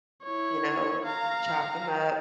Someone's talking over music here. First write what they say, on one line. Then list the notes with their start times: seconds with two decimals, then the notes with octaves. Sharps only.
you know, chop ‘em up
0.24 E4 C#5
1.05 F5 A#5